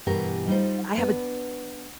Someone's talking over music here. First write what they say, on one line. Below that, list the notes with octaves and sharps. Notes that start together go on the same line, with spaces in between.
I have a
G2 B2 E3 G4 A#4
G3 D#4 F4 C5
B3 D4